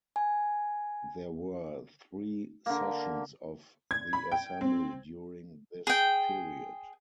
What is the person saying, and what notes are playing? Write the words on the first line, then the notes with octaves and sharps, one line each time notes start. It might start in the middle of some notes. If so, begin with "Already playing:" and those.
There were three sessions of the assembly during this period.
G#5
D3 A#3
G#6
B5
G5
C4
G#4 G5